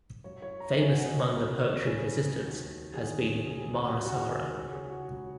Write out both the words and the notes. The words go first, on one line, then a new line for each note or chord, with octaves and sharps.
Famous among the 'poetry of resistance' has been "Mahasara".
F#2 F#3 C#5
C#5
A#5
F#2 F#3 G#5
F#5
D#5
C#5
C#2 C#3 F#3 A#4
C#5
C#2 C#3 F#3 G#4
D#2 D#3 F#3
D#2 D#3 F#3 G#4
D#2 C#3 F#3 G#4
F#4
D#2 C#3 F#3 F#4
G#4
A#4
C#2 C#3 F#3 C#5
G#4
F#4
C#2 C#3 F#3